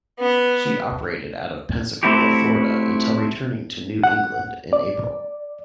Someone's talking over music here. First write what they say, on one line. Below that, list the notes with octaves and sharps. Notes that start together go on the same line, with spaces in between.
She operated out of Pensacola, Florida, until returning to New England in April.
B3
A3 C4 E4 F#4 G4
F#5
D5